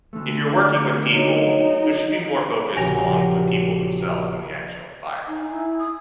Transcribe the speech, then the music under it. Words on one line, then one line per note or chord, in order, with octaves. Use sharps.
if you're working with people, there should be more focus on the people themselves than the actual environment.
D3 A3
F#3 D#4 C#5
A#1 C#3 F#3 G4 E5 G#5 A#6 F7
D#4 G#5
E4
D#6